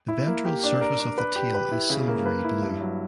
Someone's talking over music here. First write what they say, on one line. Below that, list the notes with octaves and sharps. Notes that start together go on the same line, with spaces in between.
The ventral surface of the tail is silvery blue.
E4
A#3
G4
D4
A#4
D4
B4
G4
B4
E4
C#3
A#3
B4
E4
G2
F#3